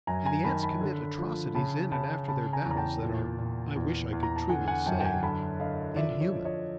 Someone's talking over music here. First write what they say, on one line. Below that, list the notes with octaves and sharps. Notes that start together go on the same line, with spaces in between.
And the ants commit atrocities in and after their battles that are--I wish I could truly say--inhuman.
F#2 G#5 A#5
G#5 A#5
D#3 A5 B5
A5 B5
D3
F3
C#3 A5 B5
C#3 A5 B5
C#3 A5 B5
G#5 A#5
E2
A#5
G5 A5
A#2
A#2
E2
E2
A#5
A5
D3 F#5 G#5
F#5 G#5
F#2 G5 A5
G5
F#5 G#5
D3 A5 B5
D3 D#5 F5
F3 D5 E5
C#5 D#5
F3
C#5 D#5